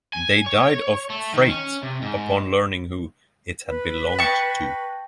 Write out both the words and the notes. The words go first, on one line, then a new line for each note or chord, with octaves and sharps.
They died of freight upon learning who it had belonged to.
G#5
C#5
A3
D#3
C#4
C3
G#2
B4
G5 A5 C#6 A#6